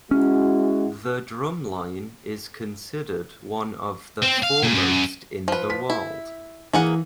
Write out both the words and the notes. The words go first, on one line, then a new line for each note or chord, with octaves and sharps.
The Drumline is considered one of the foremost in the world.
G#3 C#4 E4 F#4
C4
F5
A#2
F#2
F3 B4
B6
E4
E3 A#3 G#4 F#5